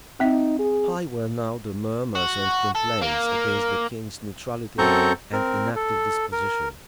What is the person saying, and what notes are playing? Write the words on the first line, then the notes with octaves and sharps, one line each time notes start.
High were now the murmurs and complaints against the king's neutrality and inactive disposition.
C4 D#4 E5
G#4
F#4
A4
A#3
F#2 C4 A4 A#5 C#6 G6
C4 A#4
A4
A#4